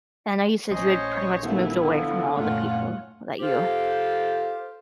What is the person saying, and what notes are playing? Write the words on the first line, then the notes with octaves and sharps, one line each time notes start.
I know you had said you pretty much moved away from all the people that you
A#1 E3 C#4 C5 C#5 D#5
D#1 A3 B3 E4
D3 F3
F#2 A#2 A3 C#4 F4 F#5
F4 G4 A4 C5